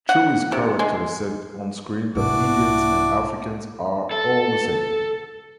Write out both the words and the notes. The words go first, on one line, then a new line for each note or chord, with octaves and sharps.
Chew's character said onscreen that Indians and Africans are "all the same".
F#5
C3
G#3
C2 G#2 D4 E4 F#4 D6
A4